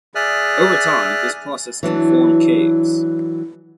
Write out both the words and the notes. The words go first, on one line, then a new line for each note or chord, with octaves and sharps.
Over time, this process can form caves.
G#4 D5 E5 D#6 F6 F#6
E3 F#3 D4